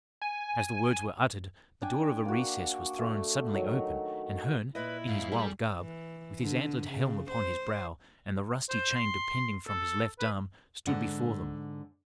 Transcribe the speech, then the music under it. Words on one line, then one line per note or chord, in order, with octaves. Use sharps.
As the words were uttered, the door of a recess was thrown suddenly open, and Herne, in his wild garb, with his antlered helm upon his brow, and the rusty chain depending from his left arm, stood before them.
G#5
D4 D5 G5 G#5
A#3 F#4
A3
D#3 F#3
A#2 E4 B4 D#5
G#2 F5
G3 G#4 A4
E3
D3
C#3
C5
C5
C6
A4
B4
G#2 D3 F#5